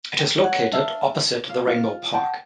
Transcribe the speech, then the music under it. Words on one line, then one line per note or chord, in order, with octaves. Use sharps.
It is located opposite the Rainbow Park.
G5
C#5 F#5
D4 E5 F5
F5
F4
F#5 G5 A5